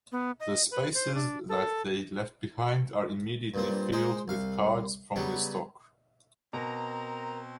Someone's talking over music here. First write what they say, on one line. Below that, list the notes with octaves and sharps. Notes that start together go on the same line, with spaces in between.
The spaces that they left behind are immediately filled with cards from the stock.
B3
D#5
B4
C5
D4
A4
G2 A#2 C4
G#3 D#4 C5
C2 F5
C#3 F#3 G3 B3
B2 C4 A#4 A#5